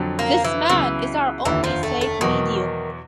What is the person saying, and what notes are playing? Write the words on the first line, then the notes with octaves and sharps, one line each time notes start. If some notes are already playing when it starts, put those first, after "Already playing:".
This man is our only safe medium.
Already playing: F2 D3 F#3
A#3
E3
C#2 C#3 E3 F#3 B3
F1 D#2 D3 E3
F3
A3
A3
E2 B2 D#3 F#3